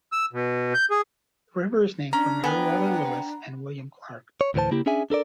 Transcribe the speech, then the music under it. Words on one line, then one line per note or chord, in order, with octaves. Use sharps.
The river is named for Meriwether Lewis and William Clark.
E6
B2
G6
G#4
C#4 D4 A#5
B3 G5 G#5
C#5
D2 A2 E3 C5 A5
C#3 A#3 E4 G4
C#4 D4 G#4 E5 G#5
D4 A4 A#4 D5